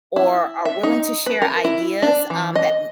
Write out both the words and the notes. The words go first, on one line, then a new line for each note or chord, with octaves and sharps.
or are willing to share ideas, um, that
E4
E5
D#4
B4
A#4
E4
D4
E3
D#5